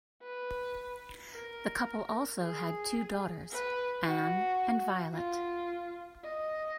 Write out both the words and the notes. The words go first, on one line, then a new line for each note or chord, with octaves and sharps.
The couple also had two daughters, Anne and Violet.
B4
A#4
G#4
B4
F#4
F4
D#5